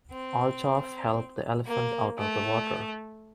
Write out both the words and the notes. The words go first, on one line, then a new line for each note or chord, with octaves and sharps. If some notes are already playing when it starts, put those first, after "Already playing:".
Althoff helped the elephant out of the water.
C4
A#3
A3